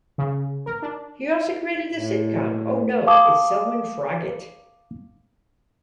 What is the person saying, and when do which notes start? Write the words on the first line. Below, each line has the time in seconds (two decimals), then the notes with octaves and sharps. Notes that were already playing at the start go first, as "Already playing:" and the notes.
He also created the sitcom Oh No, It's Selwyn Froggitt!
0.18 C#3
0.66 A#4
0.82 D4
1.93 A2
3.07 F5 A5 D6 D#6